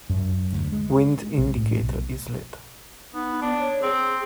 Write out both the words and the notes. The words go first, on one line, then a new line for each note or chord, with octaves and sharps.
Wind indicator is lit.
F#2
D2
G#3
B1
A2
B1
B3 D#4
B3 D4
C#5
C4 G#4